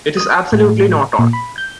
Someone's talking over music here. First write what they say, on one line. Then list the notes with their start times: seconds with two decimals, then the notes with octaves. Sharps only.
It is absolutely not on.
0.17 D#6
0.53 A2
1.19 A#2
1.33 B5
1.58 G6